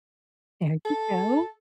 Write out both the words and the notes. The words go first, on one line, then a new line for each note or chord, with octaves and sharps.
There you go.
A4